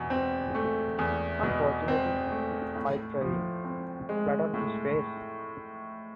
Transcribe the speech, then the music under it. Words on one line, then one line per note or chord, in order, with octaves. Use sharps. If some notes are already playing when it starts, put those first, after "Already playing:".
Unfortunately, Pike fell in, flat on his face.
Already playing: E2 B2
C4
A3
E2
B2
C4
A3
A2
F3
C4
G#3
A2